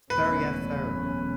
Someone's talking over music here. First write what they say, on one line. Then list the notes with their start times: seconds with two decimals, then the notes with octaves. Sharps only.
"Sir, yes, sir.
0.10 F#1 E2 B2 A3 C#4 B4